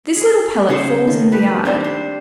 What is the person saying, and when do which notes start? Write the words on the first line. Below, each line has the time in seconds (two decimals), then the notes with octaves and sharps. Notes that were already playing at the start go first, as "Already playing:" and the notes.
This little pellet falls in the yard.
0.16 G#4
0.69 C#3 A3 D#4 C5
1.07 D#3
1.32 G4 B4
1.65 G3 C4 D4
1.84 C5